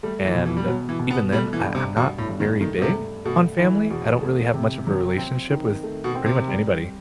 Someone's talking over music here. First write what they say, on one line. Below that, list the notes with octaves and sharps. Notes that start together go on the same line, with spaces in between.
and even then, I I'm not very big on family. I don't really have much of a relationship with pretty much anybody.
G3 A3
E3
B2
E3
G3
B2 F#3
E3
B2
B3
G3 A3
E3
G2
C3
G2 B2
A2
G2
D#3
D#3 A3
B2
C3
A3
B2 A3
E3
E2 B2
A3
C3
F#3
C4
D#3
A3
B2
C4
C3
G3